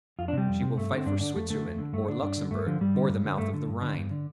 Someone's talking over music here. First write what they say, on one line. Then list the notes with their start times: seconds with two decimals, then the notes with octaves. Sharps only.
She will fight for Switzerland or Luxembourg, or the mouth of the Rhine.
0.19 F2 F4
0.28 D4
0.33 C3 G3
0.48 F2
0.62 C3
0.77 G2 A3
0.92 D3 C4
1.06 G2 D4
1.21 D3 D4
1.35 F2 A3
1.50 D3 A3
1.64 F2
1.78 D3
1.93 G2 A3
2.08 D3 D4
2.22 G2 D4
2.36 D3
2.51 G2 A3
2.66 D3 F3
2.81 G2 G3
2.95 D3
3.09 G2
3.24 D3
3.38 G2 A3
3.54 D3
3.68 G2
3.82 D3
3.97 G2
4.11 D3